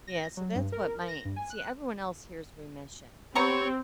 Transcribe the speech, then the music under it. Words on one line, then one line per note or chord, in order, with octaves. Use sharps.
Yeah, so that's what my see, everyone else hears, "remission."
A#6
F#3
G2
A#4
A#6
G2
G#5
F#6
B3 C4 G4 C#5 A#5 C#6